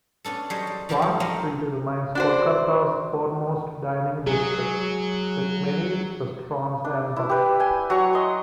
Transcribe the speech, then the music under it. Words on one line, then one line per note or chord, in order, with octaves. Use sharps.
Park Street remains Kolkata's foremost dining district, with many restaurants and pubs.
B3 C#4 D4 A4
F#3 G3 G#4 C5 C#5 D#5
G3
E3 F3 A#3 C#4 D4 G4
F2
F#3 A3 A#3 C4 A#4 D#5
D4 F#4 C5
F#3 G#4
D4
E4
G4 B4
G5 G#5
F#3 A#5 C#6
D#5 C6